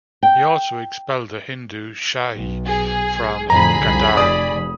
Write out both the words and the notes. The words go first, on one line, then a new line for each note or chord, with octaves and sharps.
He also expelled the Hindu Shahi from Gandhara.
G5
B1
G#4
F2 A2 D3 G#4 A#5 B5
C2 F2
F1 D5 D#6